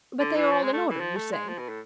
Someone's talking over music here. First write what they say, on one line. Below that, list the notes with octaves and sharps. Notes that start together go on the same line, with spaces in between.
"But they are all in order, you say?"
D3
E3
F3
G#3
A3
E3
F3
A3
G#3
F3
B2
A2